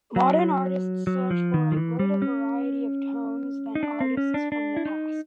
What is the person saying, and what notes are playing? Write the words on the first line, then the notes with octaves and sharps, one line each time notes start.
Modern artists search for a greater variety of tones than artists from the past.
F#3
F#3
F3
D#3
F3
E3
G3
C#4
D#4
D4
C4
C#4
D4
D4
E4
D#4